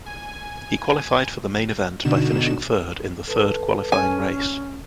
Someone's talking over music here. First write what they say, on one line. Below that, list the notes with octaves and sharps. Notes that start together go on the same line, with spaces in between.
He qualified for the main event by finishing third in the third qualifying race.
G#5
B2 D3 D4 D#4 F#4 E7
A4 B4 A5
C#4 G#5